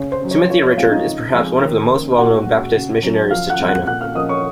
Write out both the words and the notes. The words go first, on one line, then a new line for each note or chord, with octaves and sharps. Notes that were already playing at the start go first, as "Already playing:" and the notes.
Timothy Richard is perhaps one of the most well-known Baptist missionaries to China.
Already playing: C#3 C#5
C5
F#3 C#4
C#5
F3 C#5
C#5
G#3 C4 F4 F5
D#4 D#5
C#3
F3 G#3 C4
D#3
A#3 C#4
A#2 F#4 F#5
G#3 C#4
C#3
F#3 C#4
F3 F5 F6
F#5 F#6
G#3 C4
F#5 F#6
A#2 F#5 F#6
F5 F6
F3 A#3 C#4 D#5 D#6
C#5 C#6